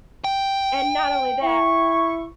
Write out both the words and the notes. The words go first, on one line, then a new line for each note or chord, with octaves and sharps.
and not only that,
G5
E4 C#6